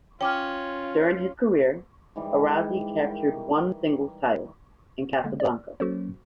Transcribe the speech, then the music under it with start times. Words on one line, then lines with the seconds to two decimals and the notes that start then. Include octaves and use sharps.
During his career, Arazi captured one singles title, in Casablanca.
0.21 C#4 F4 G5 D6 F6
2.16 G#2 E3 G3
3.00 A#4 G5
5.24 D3 G#3 A#3
5.40 D5
5.80 F#3 A#3 C#4 F#4 A4 C5